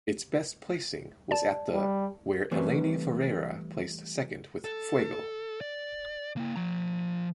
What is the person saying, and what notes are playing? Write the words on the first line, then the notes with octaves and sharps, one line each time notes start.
Its best placing was at the where Eleni Foureira placed second with "Fuego".
D5 A5
G3
E3 G3 A3 C4 B4 C#5
A4
D5
A#3 E4
F3 A#5